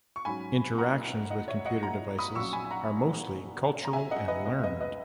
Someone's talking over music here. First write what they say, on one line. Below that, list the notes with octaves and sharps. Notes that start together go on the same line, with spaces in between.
Interactions with computer devices are mostly cultural and learned.
C#6
G#2 F#3 C#4 G#5 B5
F#5 A#5
D#5 F#5
C#5 E5
D#5 F#5
F#5 A#5
B5 D#6
A#1 A#2 F#3 C#4 C#6 E6
G#5 B5
G#5
F#5 A#5
A#5
E5 G#5
D#5 F#5
B4 D#5
C#2 C#3 G#3 B3 B4 D#5
E5
B4 D#5
B4 D#5